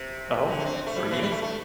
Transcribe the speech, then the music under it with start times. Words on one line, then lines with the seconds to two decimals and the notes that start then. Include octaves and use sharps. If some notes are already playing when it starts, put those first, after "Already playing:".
Oh, were you?
Already playing: C3
0.49 D3
0.59 A3
0.65 C4
0.86 A3
0.95 G3
1.11 E3
1.22 G3
1.32 A3
1.42 A3